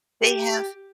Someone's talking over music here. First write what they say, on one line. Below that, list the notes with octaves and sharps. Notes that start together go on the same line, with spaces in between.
they have
G4